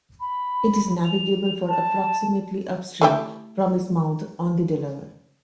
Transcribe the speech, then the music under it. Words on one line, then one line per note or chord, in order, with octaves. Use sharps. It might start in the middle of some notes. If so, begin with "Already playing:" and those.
It is navigable for approximately upstream from its mouth on the Delaware.
B5
F7
A5
A3 E4 G4